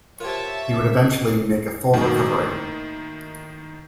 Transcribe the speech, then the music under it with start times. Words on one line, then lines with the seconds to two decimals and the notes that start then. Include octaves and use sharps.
He would eventually make a full recovery.
0.20 F4 G4 A#4 C5 C#5 E5 A5
1.94 A2 D#3 A#3 F#4